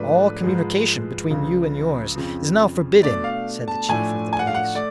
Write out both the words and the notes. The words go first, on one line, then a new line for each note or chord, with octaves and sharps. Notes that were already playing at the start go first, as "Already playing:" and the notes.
"All communication between you and yours is now forbidden," said the chief of the police.
Already playing: G#2 F3 A3 D4 B4
G#2 F3 G#3
C#2 C#3 F3
F2 C#3 F3
B2 A3 D4 D5
F5
A5
A2 F3 A3 D4 G#5
G#5
F#5
F5
F#5
A3 D5